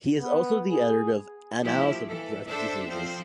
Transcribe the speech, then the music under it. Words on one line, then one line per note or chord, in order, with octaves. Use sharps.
He is also the Editor of Annals of Breast Diseases.
B3
G#4
F3 A#3 E4 G4
E3 A4
D4 A4 C5 E5
F3 C4 C5